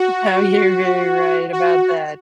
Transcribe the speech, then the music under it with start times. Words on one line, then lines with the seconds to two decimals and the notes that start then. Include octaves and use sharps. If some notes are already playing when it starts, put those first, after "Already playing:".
Oh, you're very right about that.
Already playing: F#4
1.53 F#4